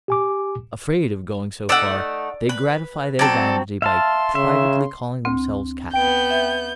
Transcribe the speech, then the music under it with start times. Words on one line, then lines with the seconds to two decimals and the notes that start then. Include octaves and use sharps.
Afraid of going so far, they gratify their vanity by privately calling themselves Catholic.
0.08 G4 G#5 D6
1.69 A3 D#4 D5 F#5 E6
2.49 B4
3.19 F#3 C4 A4 D5
3.82 E5 F5 A5 C6
4.35 C#3 E5
5.25 D2 C4
5.94 B3 G5 G6 D7
6.30 E5